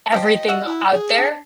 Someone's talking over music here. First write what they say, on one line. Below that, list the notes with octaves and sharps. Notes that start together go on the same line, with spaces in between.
everything out there.
F3 G4 C5 D#5
F#4 E5 F#5
E4
G#4
D4